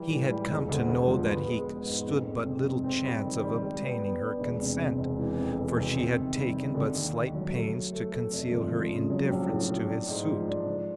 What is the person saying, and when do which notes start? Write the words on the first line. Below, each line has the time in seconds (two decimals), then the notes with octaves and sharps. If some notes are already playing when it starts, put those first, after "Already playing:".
He had come to know that he stood but little chance of obtaining her consent: for she had taken but slight pains to conceal her indifference to his suit.
Already playing: E3 G3
0.10 A2
0.29 G3
0.49 E1
0.69 D2
0.88 D2
1.08 F3
1.27 B3
1.47 G#3
1.67 B3
1.86 G#2
2.06 F2
2.25 F2
2.45 C3
2.65 F2
2.84 C4
3.04 G3
3.23 D#3
3.42 G3
3.62 G3
3.82 B3
4.02 B3
4.22 D4
4.40 E1
4.60 C3
4.80 C3
4.99 E1
5.19 E3
5.39 F2
5.58 E3
5.77 C3
5.98 C3
6.17 D#3
6.36 G3
6.56 D#3
6.75 D3
6.95 D#2
7.14 D#2
7.35 F#3
7.53 A3
7.74 A3
7.92 A3
8.12 A3
8.31 F1
8.52 F3
8.70 F3
8.90 C#3
9.10 F#3
9.30 A#1
9.49 A2
9.68 A2
9.88 D4
10.07 G#2
10.27 F3
10.48 D4
10.67 F3